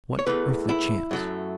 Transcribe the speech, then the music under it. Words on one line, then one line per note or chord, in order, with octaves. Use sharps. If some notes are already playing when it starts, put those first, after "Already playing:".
What earthly chance?
C#5
E2 E3 A3 B4
E4
F#2 F#3 A3